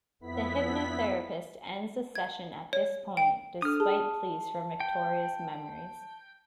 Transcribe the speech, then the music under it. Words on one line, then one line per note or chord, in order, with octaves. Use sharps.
The hypnotherapist ends the session at this point, despite pleas from Victoria's memories.
F2 B3 E4 B5 B6
G#6
C#5
G5
D4 A4 D#6 F6
G#4 A5
G5